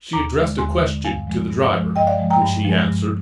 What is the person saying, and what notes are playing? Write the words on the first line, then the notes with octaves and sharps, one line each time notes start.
She addressed a question to the driver, which he answered.
D#2 A#5 D6
D3 G#3
D#2 G#5 C6
D3 G#3
G2 F5 G#5
F3 G#3
G2
F3 G#3
G2 D#5 G5
D5 F5
F3 G#3
G5 A#5
G2
F3 G#3
G2